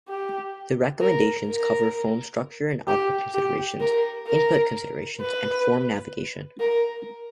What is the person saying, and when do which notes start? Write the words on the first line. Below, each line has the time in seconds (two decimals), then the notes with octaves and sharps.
The recommendations cover form structure and output considerations, input considerations, and form navigation.
0.08 G4
1.01 A#4
1.48 A#4
2.88 G4
3.34 G4
3.80 A#4
4.27 A#4
5.21 B4
6.60 A#4